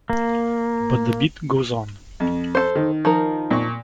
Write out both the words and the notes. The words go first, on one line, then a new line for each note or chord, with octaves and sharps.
But the Beat Goes On.
A#3
F2
A4 C5
D#3
F3 D#4 A#4
A#2 C#6